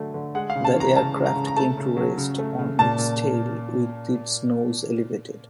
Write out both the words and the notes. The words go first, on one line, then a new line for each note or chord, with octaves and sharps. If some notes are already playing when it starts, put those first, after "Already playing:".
The aircraft came to rest on its tail with its nose elevated.
Already playing: D3 F#3 A3
D3
G#3 F#5
F5
C#3
A5
E3 A#5
C#3 A5
G#3
A#5
C#3
A#5
A3 A5
C#3
F#3
C#3
A3
C#3
A#2 A5
A#2